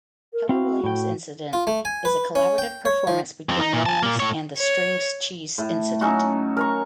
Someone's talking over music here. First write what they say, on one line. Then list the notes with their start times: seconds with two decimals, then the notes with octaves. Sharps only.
"Keller Williams Incident" is a collaborative performance between Williams and The String Cheese Incident.
0.33 A#4
0.49 C4 E4 F#4 F5
0.84 A2 G5
1.53 F4
1.67 A3
1.85 G#5
2.05 B4
2.35 C#4
2.58 G5
2.85 C#5
3.07 F3
3.49 F2 C4
3.61 D#4
3.73 A#2
3.86 G#5 A5
4.03 A#2 A#3
4.20 A2 C#5
4.58 C#5
5.58 A2
6.01 F#3 C#4 D#4 F#4
6.57 A#4 A#5 C#6